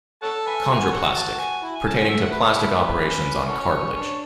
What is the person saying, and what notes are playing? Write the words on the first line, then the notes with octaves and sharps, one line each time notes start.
"Chondroplastic" - pertaining to plastic operations on cartilage.
A4 C#5 F#5 A5
B4 E5 G#5
F#4 G#5
A4 C#5 F#5
A5
G#5
E4
G#5
C#4 A5
B3 G#5
A3 E5
F#5
B4
A4
E4 G#4 B4
C#4
F#4 A4 C#5
C#5
D4 C#5